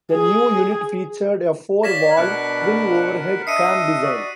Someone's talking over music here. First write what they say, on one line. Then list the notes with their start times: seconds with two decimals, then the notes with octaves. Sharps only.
The new unit featured a four-valve, twin overhead cam design.
0.13 G#4
1.84 C#5 D5 F5 A#6 B6 E7
2.17 B2 D4 A#4 F#5 B5 F#6
3.47 D4 D#5 E5 D#6 C7 C#7 D#7
4.02 F#4 D5